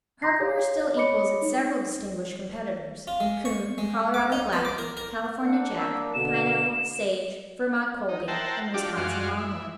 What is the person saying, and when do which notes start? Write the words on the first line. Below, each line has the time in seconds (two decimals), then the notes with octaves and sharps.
Herkimer still equals its several distinguished competitors, Coon, Colorado Blackie, California Jack, Pineapple, Sage, Vermont Colby and Wisconsin Longhorn.
0.22 A#5 C6 D6 A#6 C7
0.41 C#5 D5 F5
0.95 C#5 D#5 B5 D6 C#7
1.42 D#4
3.07 F4
3.20 G#3
3.45 C#6
3.78 G#3
4.14 D6
4.32 D#4
4.53 B3
4.65 D6
4.78 A#4
4.97 A#4
5.43 A#3 D4 F#5
5.77 E6
6.14 B2 D3 E7
8.09 D#4
8.28 A#4 C5 E5 F#5 G5 A5
8.74 F#3 D4 F4 G4 D5
8.97 F#2 G#3 F#4 D5 F5 C6
9.38 E4